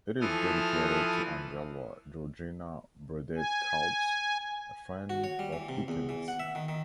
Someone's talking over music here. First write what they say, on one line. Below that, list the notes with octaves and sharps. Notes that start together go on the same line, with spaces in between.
It is dedicated to Angela Georgina Burdett-Coutts, a friend of Dickens.
E3 F3 E4 A4 D#6 F6
G#5
F#4
C#5
G3
E3
C3
E2
E3
F#5
E5
D#3
D#3